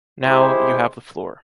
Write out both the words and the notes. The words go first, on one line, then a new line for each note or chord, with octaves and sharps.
Now you have the floor.
G#3 E4 G4 C5